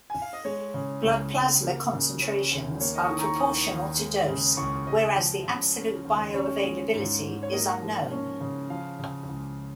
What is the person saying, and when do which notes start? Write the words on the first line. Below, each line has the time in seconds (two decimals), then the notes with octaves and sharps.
Blood plasma concentrations are proportional to dose, whereas the absolute bioavailability is unknown.
0.10 G#5
0.22 F5
0.33 D#5
0.45 G#3 C#5
0.74 C#3
1.04 C#2
1.33 C#2
1.62 A#3
1.93 C#3
2.22 C#4
2.51 D#2
2.81 A#3 C#5
2.95 D#5
3.04 C#6
3.10 D#3 D#6
3.19 A#5
3.25 C#6
3.39 D#2 D#6
3.69 D#2
3.99 G#3
4.28 C#3
4.57 C#2 C#6
4.87 C#2 D#5
5.16 F3
5.46 C#3
5.76 C#4
6.05 D#2
6.34 C#4 C#5
6.64 G#3
6.93 G#2
7.22 G#2
7.43 C#5
7.52 A#3 D#5
7.82 F3
8.11 C#4
8.41 C#3
8.70 F3 F5
8.99 C#3
9.29 C#2